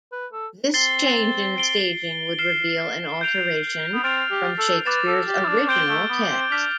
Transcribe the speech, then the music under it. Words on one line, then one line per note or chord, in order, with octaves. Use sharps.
This change in staging would reveal an alteration from Shakespeare's original text.
B4
A4
C4 A6 C7 G7
A6 D7 G7
F6 C7 E7 G7
G6 D7 F7
B3
C4 F6 A6 D7 F7
G4
A4
B4 D6 A6 E7
A4
G4
E4
D4
D4
C4 G6 D7 G7
A3
B3
C4
D4 F6 B6 F7